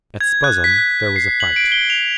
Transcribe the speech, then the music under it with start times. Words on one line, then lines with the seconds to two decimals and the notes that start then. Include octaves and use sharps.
At Spuzzum there was a fight.
0.21 G#6
0.44 F#6
0.64 B6
0.78 F#6
1.16 C7
1.40 F#7
1.56 D7
1.72 G7
1.90 F7